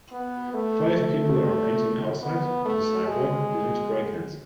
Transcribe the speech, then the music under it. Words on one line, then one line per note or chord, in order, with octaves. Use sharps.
Five people are painting outside on the sidewalk using spray cans.
B3
A3
A3
B3
A3
G#3